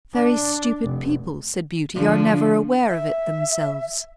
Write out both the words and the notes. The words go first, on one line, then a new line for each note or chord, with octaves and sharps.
"Very stupid people," said Beauty, "are never aware of it themselves."
D4
F1
D3 F3
E5